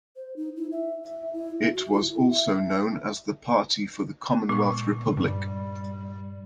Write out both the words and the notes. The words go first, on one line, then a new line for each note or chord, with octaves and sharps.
It was also known as the Party for the Commonwealth-Republic.
C5
D#4
E4
E5
E5
E4
E5
F#4
E4
E5
A#2 G#3 B3 C#6
G2 G3